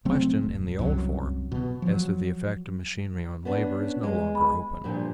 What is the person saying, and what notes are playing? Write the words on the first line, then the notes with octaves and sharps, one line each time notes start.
The question in the old form, as to the effect of machinery on labor, is no longer open.
C3 F#3 A3 C4
D#1
C2 F#2 F#3
B2
F3 F#3
B3 C#4 D4
G#3
B5
G2 A#2 F3